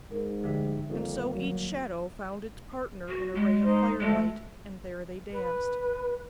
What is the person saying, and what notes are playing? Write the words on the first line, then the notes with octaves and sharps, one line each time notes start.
And so each shadow found its partner in a ray of firelight, and there they danced.
G#2 A#4
D2 D3 F3 G4 E5
F2 D#3 G3 A#3
F#3
F#4
G#3
D#4 C5 D#5
D2 G#3 A3
B4